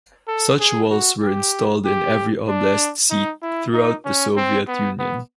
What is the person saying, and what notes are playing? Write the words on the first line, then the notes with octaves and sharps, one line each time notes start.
Such walls were installed in every oblast seat throughout the Soviet Union.
A4
G#4
F#4
G4
G4
D4
D#4
E4
D#4
C#4
C4
B3
B3